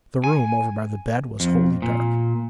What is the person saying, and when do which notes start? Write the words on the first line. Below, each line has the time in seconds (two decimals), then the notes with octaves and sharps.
The room, over by the bed, was wholly dark.
0.24 G#5
1.40 F2
1.82 A#2